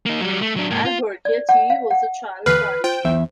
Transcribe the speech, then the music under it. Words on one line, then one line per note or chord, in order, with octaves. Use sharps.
Alberghetti was a child prodigy.
A#3 D#4
F#3 G3
A3
F#3 D4
G#2 A#3
F4
D5
F#5
F5
F#5
D#2 D3 E3 B4 F6 F#6 C7
F4 C5 G5
B1 E2 E5